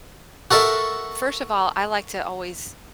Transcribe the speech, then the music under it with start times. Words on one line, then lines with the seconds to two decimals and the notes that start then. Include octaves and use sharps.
First of all, I like to always
0.51 F#4 A4 A#4 E5